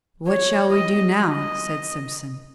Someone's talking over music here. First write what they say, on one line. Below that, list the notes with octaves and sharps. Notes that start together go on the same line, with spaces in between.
"What shall we do now?" said Simpson.
C#5
D#5
D#5